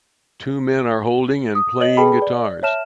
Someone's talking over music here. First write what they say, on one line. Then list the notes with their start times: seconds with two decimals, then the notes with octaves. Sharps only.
Two men are holding and playing guitars.
1.55 D#6
1.80 C#5 D#5 F#7
1.97 G#4 A4 B4 G5 A5 B5
2.22 D5
2.63 C#5 E5 A5 F6 E7